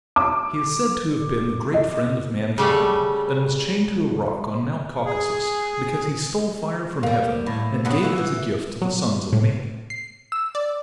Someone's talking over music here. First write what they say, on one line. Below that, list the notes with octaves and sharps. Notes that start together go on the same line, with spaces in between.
He is said to have been the great friend of mankind, and was chained to a rock on Mount Caucasus because he stole fire from heaven and gave it as a gift to the sons of man.
D6
D#5
C#3 G3 A3
G#4
G3 A#3
A2
G2 F#3 B3
E3 F#4
E3
F#3
A2
C7
E6
D5